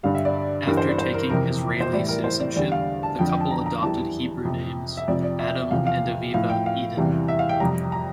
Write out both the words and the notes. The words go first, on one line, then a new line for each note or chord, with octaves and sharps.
After taking Israeli citizenship, the couple adopted Hebrew names: Adam and Aviva Eden.
G2 D3 G3 F5
E5
D5
G2 E3 G3 A#4
C5
D5
C5
A#4
F2 C3 E3 A#4
C5
A2 E3 G3 D5
A#4
C5
D5
E2 D3 G3 D5
F5
A5
F2 D3 F3 G5
G5
A5
A#5
A#5
E2 E3 G3 A5
F2 C3 F3
E5
F2 C3 F3 D5
D5
E5
E5
E2 C3 F3 F5
F5
A2 F3 F5
G5
F5
E2 C3 E3 G3
E5
F5
G5
F2 C3 G3 A#5
A#5